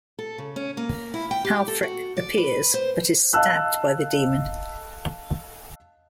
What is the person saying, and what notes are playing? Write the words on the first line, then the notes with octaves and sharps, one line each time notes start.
Halfrek appears, but is stabbed by the demon.
A4
C#3
C#4
A#3
E4
G5
G4
A4
F#4
D5
B4
C5
D#5 F5 A5 E6 F#6